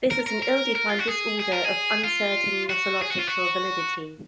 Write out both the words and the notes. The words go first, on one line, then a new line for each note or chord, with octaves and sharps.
This is an ill-defined disorder of uncertain nosological validity.
A#4
A#4
A#4
A#4
F4
F#4
G#4
G#4
A#4
G#4
F4
F#4
G#4
F#4
F4
F#4